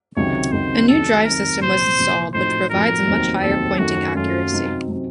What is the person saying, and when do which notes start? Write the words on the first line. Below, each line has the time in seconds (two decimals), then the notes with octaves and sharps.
A new drive system was installed, which provides a much higher pointing accuracy.
0.17 C#2 C3 D#3 F#3 C#5
0.52 C#2 C3 D#3 F#3 C5
0.88 F1 F2 D#3 F#3 A4
1.25 F1 F2 D#3 F#3 A#4
1.61 C2 A#2 F3 C5
1.97 C2 A#2 F3
2.34 A2 F3 C4 D#4 F#4 C5
2.70 A2 F3 C4 D#4 F#4 A#4
3.06 F1 D#2 D#3 F#3 C4
3.42 F1 D#2 D#3 F#3 C4 A4
3.78 F#2 D#3 F#3 A3 F#4
4.15 F#2 D#3 F#3 A3 F4
4.51 F2 C3 F#3 C4 D#4
4.88 C3 F#3 C4 D#4